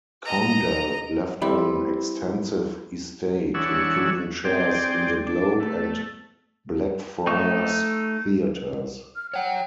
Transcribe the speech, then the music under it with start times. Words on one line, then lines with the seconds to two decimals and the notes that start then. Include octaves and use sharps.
Condell left an extensive estate, including shares in the Globe and Blackfriars Theatres.
0.25 D#5 A#5
1.42 G3 C4 E4
3.54 E3 G#3 D4 C#5 F#5 E6
4.45 C4 G#4 D5 G5
5.27 D4
5.60 A3
7.27 A3 D#4 C#6
9.16 F6
9.34 C#5 F#5 G5